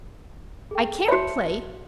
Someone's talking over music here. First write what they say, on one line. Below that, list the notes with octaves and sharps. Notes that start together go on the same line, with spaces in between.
I can't play.
G#4 A4 G5
F#4 C#5 E5 A5 C#7